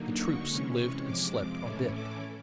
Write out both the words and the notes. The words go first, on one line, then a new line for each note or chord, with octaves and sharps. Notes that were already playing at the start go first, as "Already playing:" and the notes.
The troops lived and slept on deck.
Already playing: D3 F#3 A#3 D#4
C#6
C3 E3 G#3 C#4
C#6
F2 C3 F3 G#3 D6
A2 E3 A3 C#4 E4
D6